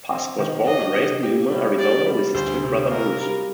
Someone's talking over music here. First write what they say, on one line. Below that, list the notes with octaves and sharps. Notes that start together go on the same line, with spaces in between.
Pask was born and raised in Yuma, Arizona with his twin brother Bruce.
C4
D#3
D4 D#5
C3
G4
G3
G4 D5
G3
D2 C5
C3
F4 A#4
G3